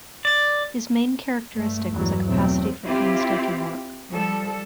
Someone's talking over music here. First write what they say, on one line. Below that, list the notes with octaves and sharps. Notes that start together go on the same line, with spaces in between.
His main characteristic was a capacity for painstaking work.
D5
G2 A3
E2 G2 E3 F#3
E2 B2 F#3 A3 C4
C4 E4 F4 G4
F3 G3 A4